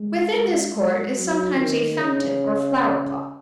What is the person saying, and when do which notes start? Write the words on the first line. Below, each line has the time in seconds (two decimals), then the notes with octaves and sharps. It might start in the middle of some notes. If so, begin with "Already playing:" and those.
Within this court is sometimes a fountain or flower-plot.
Already playing: G#3
0.33 G#3
0.74 G#3
1.16 F#3
1.57 D#3
1.98 C#3